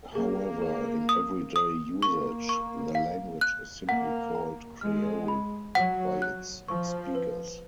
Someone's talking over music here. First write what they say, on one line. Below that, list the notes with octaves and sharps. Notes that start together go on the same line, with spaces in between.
However, in everyday usage the language is simply called "Creole" by its speakers.
A#3 G#4
G#4
D#6
D#6
A#3 C#6
C#6
F5
F#6
A#3 F#5
A#5
G#3 F6
B5
F#3 F#5
F#6
F3 C#6
B4